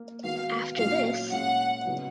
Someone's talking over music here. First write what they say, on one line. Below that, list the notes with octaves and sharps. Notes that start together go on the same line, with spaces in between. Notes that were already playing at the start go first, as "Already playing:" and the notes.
After this.
Already playing: A#3
D#3 G#3 B3 F#4 F5
A#2 F#3 A#3 C#4 F4 F5
A#2 G#3 C#4 F#5
C#3 F#3 B3 D#4 F#4